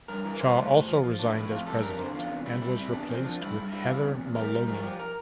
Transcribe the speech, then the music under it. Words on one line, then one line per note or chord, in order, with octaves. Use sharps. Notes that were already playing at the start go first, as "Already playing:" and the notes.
Shaw also resigned as president and was replaced with Heather Maloney.
G2 A#4
E3 A#4
G3 C5
A2
A2
F3
F3
A2 D4
A2 E4
F2 F4
G3 A4
F2 A#4
D3 C5
E2 F4
C3
G3 E4
G3 E4
C3 E4
E2 D4
F3 C4
F3 D4
G2 E4
G2
G3 E4
F4
E2 E4
C3
E2
G3 A#4
G3
F3 A#4
F3 G4
A#4